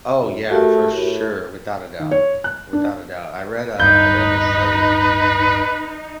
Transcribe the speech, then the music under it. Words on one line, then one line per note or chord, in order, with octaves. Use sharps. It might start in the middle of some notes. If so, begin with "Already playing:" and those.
Oh, yeah, for sure, without a doubt. Without a doubt, I read, uh I read this study,
F#2
A3 F#4 G4 A#4
A2
D#3
C#5
F#6
D4
D1 G2 D#4 B4 G6